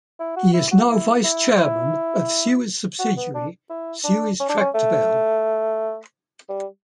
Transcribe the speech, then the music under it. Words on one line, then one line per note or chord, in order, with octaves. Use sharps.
He is now Vice Chairman of Suez subsidiary, Suez-Tractebel.
E4
F#4
E4
F#4
E4
E4
E4
F#4
B3
D4
E4
D4
C#4
D4
C#4
A3
G3